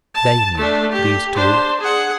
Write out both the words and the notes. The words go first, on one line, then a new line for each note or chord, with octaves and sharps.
THEY knew, these two.
A5
A3 D4
G4
D4 C5
G#4 F#5